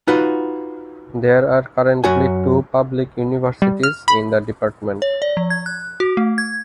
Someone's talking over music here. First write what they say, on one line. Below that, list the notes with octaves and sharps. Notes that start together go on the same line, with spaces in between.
There are currently two public universities in the department.
D#4 F4 F#4 B4 F#5
F#2 F#4 G#5
G3
F6
B5
C#5
D5
F3
G#6
F#6
F#4
A3
G#6